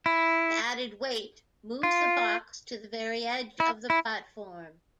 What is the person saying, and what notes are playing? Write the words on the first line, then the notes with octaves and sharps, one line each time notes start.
The added weight moves the box to the very edge of the platform.
E4
F4
E4
E4